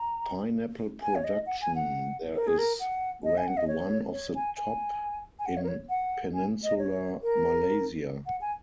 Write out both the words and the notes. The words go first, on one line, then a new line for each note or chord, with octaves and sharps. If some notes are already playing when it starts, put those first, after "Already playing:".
Pineapple production there is ranked one of the top in Peninsular Malaysia.
Already playing: A#5
G#5
C#5
D#5
F#5
G#5
F#5
A#4
G#4
A#4
F#5
D#5
G#5
F#5
D#5
C#5
C#5
G#5
G#5
G#5
F#5
C#5
A#4
C#5
F#5
G#5
D#5
C#5
A#4
F#5
G#5